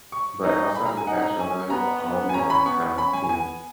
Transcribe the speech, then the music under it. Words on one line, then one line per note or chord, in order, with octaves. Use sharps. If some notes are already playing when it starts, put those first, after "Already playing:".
but, outside of the fashion, another o hobby I've, kind of been
C#6
D#4
B5
A#5
G#5
D#4 F#5
A#5
C#4 G#5
B3 A#5
B3
G#5
C#4 A#5
B5
B3 C#6
C#4 B5
G#5
B3 G#5